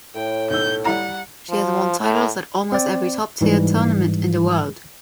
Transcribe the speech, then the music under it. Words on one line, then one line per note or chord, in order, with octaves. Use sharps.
She has won titles at almost every top tier tournament in the world.
A2 G5
B1 E6 G6
G3 E4 F#5 A#5
F3
A2
C4 D5
G#2 E3 G3